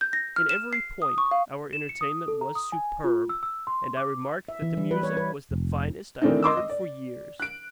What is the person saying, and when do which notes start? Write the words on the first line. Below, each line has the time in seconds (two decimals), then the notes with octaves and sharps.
In every point our entertainment was superb; and I remarked that the music was the finest I had heard for years.
0.01 G6
0.13 A#6
0.36 F6
0.49 E7
0.73 C7
1.02 D#6
1.18 C#6
1.31 F5
1.73 E7
1.89 C#7
2.01 D#6
2.28 A4
2.41 A#5
2.55 D#6
2.72 G#5
3.04 F4
3.29 E6
3.43 E6
3.67 C6
3.97 D6
4.49 E5
4.62 E3
4.77 G3
4.91 B4
5.03 C#5
5.17 B4
5.51 F1
6.22 D#3 E3 A3 C4 D4 D#4
6.43 D#5 C6 D6 E6
6.57 D#5
6.69 D5
7.39 F#6 D7